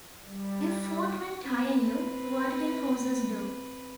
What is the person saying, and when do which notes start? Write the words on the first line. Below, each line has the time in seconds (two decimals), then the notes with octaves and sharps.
If Footmen Tire You, What Will Horses Do?
0.24 G3
1.42 C4 B4